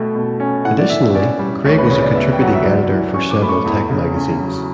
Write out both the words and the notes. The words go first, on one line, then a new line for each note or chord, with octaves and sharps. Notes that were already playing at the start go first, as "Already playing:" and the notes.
Additionally, Craig was a contributing editor for several tech magazines.
Already playing: B2 A3 G5
B2
C#4
A2 F#5
D5
E3 E5
C#4 D5
G3
D2 C#5
B4
C#3 C#5
D5
B3 E5
G5
F#3 F#5
E5
F#2 D5
E3
C#4 C#6
D6
A3 B5
C#6
E2 B5
C#3
C#4
F#3